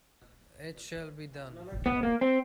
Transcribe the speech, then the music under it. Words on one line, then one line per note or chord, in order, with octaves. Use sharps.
It shall be done!
B3
A#3
C4